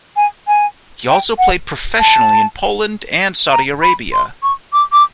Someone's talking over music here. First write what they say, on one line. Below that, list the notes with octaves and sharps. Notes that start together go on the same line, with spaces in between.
He also played professionally in Poland and Saudi Arabia.
G#5
G#5
G5
F#5
A5
A#5
B5
C6
C#6
D6
D6